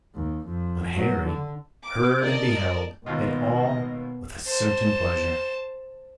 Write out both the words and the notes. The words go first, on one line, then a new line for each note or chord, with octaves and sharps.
But Harry heard and beheld it all with a certain pleasure.
D#2
F2
F#3
D3
D6
A#4 D5 D#5 A5
D#2 G#2 B2 F4 D#5
C5 A5